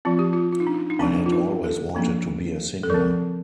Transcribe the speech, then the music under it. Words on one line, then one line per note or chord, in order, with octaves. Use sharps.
I had always wanted to be a singer.
F3 C4 F4
G4
F4
F4
D#4
D4
D#4
D#4
F3 C4 D4
F4
D#4
A4
F3 A#3 D4
A4
F3 C4 A#4